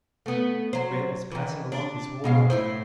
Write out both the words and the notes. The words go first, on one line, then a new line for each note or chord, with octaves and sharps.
Grant was passing along his whole line.
A3 B3
F#3 C5
D#3 E3
D4
B2 G#3 F5
A2 E4 C5